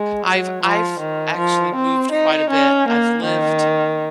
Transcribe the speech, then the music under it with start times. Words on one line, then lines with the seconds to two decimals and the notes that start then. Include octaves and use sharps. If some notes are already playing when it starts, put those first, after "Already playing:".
I've I've actually moved quite a bit. I've lived,
Already playing: G#3
0.26 F#3
0.64 F3
1.00 D#3
1.38 F3
1.76 C4
2.12 D#4
2.50 C#4
2.88 A#3
3.25 D#3